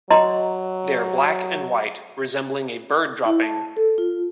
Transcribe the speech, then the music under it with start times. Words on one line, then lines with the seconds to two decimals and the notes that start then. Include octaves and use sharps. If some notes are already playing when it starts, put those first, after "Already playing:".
They are black and white, resembling a bird dropping.
0.11 F#3 D#5 A#5 C6
3.26 E4
3.42 A5
3.77 A4
3.98 F4